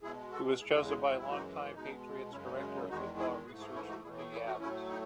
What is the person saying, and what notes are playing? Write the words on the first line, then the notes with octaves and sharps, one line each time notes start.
He was chosen by long time Patriots director of football research Ernie Adams.
B2 G#3 E4 G#4
F#4 A4
E2 C#3 G#3 E4 G#4
E4 G#4
E4 G#4
F#4
F#2 E3 G#3 E4
D#4 F#4
B2 G#3 D#4
F#2 C#3 G#3 C#4 E4
D#4
C#4
D#4
E2 D#3 G#3 D#4 F#4
E4 G#4
G#2 E3 A3 G#4 B4
E4 G#4
C#4 E4
D#4 F#4
A2 E3 A3 E4 G#4
E4 G#4
E4 G#4
D#4 F#4
A2 F#3 A3 C#4 E4
D#4